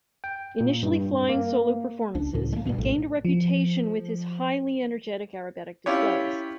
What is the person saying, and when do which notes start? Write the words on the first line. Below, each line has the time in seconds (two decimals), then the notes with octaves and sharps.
Initially flying solo performances, he gained a reputation with his highly energetic aerobatic displays.
0.24 G5
0.60 A#2
0.83 G2
1.29 A#3
2.15 C#2 D4
2.33 C#2 A2 E3
2.53 G#3 A#3
2.65 G2 B2 E3
2.78 A#1 A2
3.25 F3
5.86 C#4 E4 F4 G4 C#5